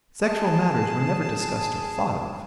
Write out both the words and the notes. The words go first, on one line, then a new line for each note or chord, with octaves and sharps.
Sexual matters were never discussed or thought of.
G#4 A5